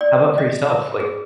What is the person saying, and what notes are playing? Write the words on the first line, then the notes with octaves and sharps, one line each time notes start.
How about for yourself? Like
D5
D#5
A#4
G#4